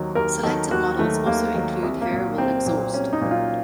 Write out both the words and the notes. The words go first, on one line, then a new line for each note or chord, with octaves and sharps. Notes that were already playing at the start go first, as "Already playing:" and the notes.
Selected models also include variable exhaust.
Already playing: D#2 D#3 F#3
D#2 A#4
D#3 F#3 A4
D#2 F#4
D#3 F#3 A3
D#2 A#3
D#3 F#3
C2
A#3
A#2 F#3
C2 C4
A#2 F#3
C2 C#4
D#4
A#2 F#3
F4